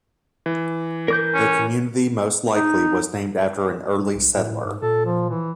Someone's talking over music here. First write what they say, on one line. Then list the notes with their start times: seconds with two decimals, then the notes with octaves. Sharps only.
The community most likely was named after an early settler.
0.46 E3
1.08 A#4 D6 G6
1.34 C#4
2.54 D#4
4.14 B1
4.34 A2
4.65 G#2
4.82 A#2 A4
5.05 F3
5.30 E3